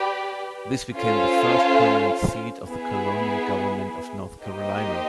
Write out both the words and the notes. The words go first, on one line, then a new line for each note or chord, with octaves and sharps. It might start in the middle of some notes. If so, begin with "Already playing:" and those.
This became the first permanent seat of the colonial government of North Carolina.
Already playing: G4 B4 D5
C#4 F4 A4 C5 F5
B3 E4 G#4
A#3 D#4 G4 C5 D#5